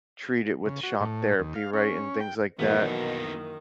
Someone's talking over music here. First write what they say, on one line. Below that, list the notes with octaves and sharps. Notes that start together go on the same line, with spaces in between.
treat it with shock therapy, right, and things like that.
C#3
F#4
A2
D#2
F5
C#4
G5
F#2 B2 D#3 E3 A#3 B3 D#4